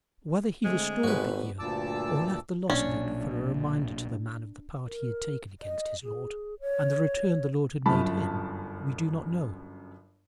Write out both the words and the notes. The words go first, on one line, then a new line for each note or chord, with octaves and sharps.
Whether he restored the ear, or left the loss of it for a reminder to the man of the part he had taken against his Lord, and the return the Lord had made him, we do not know.
D3 G#3 A3 C4
G#1 G#2 G3 B3 F#4 B4
D2 G2 A#2 A5 D6 E6
B1 A#2 C#4 D4
A#4
D#5
G#4
C#5
G1 F#2 A5 B5